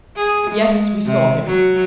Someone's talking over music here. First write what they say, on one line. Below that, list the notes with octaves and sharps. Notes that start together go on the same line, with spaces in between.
Yes, we saw him.
G#4
G#3
C3
F#3